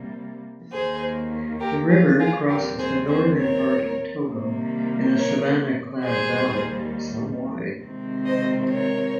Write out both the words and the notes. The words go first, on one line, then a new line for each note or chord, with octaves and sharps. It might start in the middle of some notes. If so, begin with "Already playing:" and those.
The river crosses the northern part of Togo in a savannah-clad valley some wide.
Already playing: C3 G3 A#3
D#2 D#3 A#3 G#4 C5
G4 A#4
F4 G#4
F4 G#4
D#2 D#3 G3 C4 G4 A#4
G#4 C5
G#4 C5
A#4 C#5
C3 D#3 G3 A#3
A#4 C#5
D#2 D#3 G3 A#3 G#4 C5
C3 D#3 G#3 C4
C5 D#5
A#4 C#5